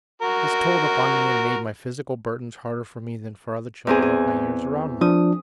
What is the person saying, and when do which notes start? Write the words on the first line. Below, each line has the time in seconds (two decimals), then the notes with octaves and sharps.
This told upon me and made my physical burdens harder for me than for other children of my years around me.
0.22 F#4 A#4
3.87 E2 C4 G#4
4.02 G#4
5.01 F3 D4 D#6